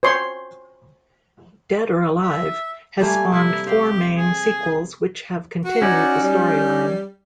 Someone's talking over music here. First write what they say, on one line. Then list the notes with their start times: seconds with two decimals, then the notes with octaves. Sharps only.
"Dead or Alive" has spawned four main sequels which have continued the storyline.
0.03 C5 C#5 C6
2.23 E5
3.00 G3 A3 A#3 G#5
3.32 C3 E4
3.67 C4 G4 F5
4.17 G#4
5.65 F#4
5.82 C#4 D#4 D5
6.22 G3